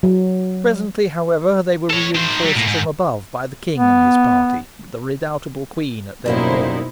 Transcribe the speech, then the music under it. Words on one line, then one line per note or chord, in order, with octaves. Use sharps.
Presently, however, they were reinforced from above by the king and his party, with the redoubtable queen at their head.
F#3
A4 C#5
D#3 C5
F#3 G3
A2 A#3
G#2
B3
F#2 B2 G3 A#3 C4 D#4 E4 C5